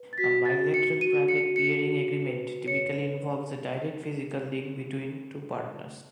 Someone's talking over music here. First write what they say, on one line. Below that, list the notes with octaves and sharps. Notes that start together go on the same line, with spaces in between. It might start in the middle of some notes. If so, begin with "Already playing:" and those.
A bilateral private peering agreement typically involves a direct physical link between two partners.
Already playing: B4
A6
F#4 B6
A6
F#4
C#7
F#4 D#7
C#7
F#4
C#7
F#4
B4
C#5 C#7